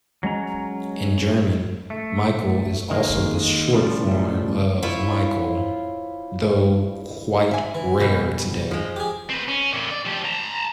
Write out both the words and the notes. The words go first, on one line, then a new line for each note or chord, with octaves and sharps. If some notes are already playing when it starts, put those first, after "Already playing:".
In German, "Michel" is also the short form of Michael, though quite rare today.
F#3 G#3 C#4 A#5
A3
D#3 G#3 A#3
A2 C#3 F3 G3
E4 F4 C5 C#5
E5 G#5
E3
B2 G3
F3 G#3
G4 G#4
C4 B4
C#4
F2 A#2
D5
F3 G4
A5 A#5